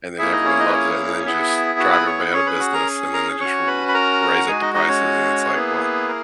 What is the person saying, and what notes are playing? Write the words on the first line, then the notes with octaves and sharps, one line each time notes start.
and then everyone loves it, and then they just drive everybody out of business, and then they just r raise up the prices, and it's like, well
A#3 E4 G#4 E5
D#4 D#5
C#4 C#5
D#4 D#5
B4
C#4 C#5
B3 E4 G#4 E5
F#4 F#5
B4 B5
C#5 C#6
B4 B5
C#4 G#4 C#5 C#6
B4 B5
F#4 F#5
A#4 A#5
A#4 A#5
C#4 F#4 C#5 C#6
B4 B5
B5
A#4 A#5
F#5
G#3 D#4 F#4 G#4 G#5
D#4 D#5
D#4 D#5
C#4 C#5
A#3 B3 E4 G#4 B4
A#4